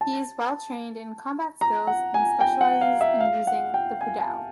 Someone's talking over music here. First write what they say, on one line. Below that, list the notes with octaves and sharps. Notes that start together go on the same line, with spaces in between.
He is well-trained in combat skills and specialises in using the pudao.
A5
A#5
F#5
G#5
G5
F#5
F5
E5
F5
F#5
G5
G#5
A5